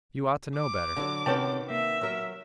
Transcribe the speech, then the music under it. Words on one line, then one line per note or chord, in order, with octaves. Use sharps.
You ought to know better.'
D6
D3 F3 F#3
C3 D#3 B3 C#4 F#4 C#5 G5 A5
A#3 E5
F#3 A#4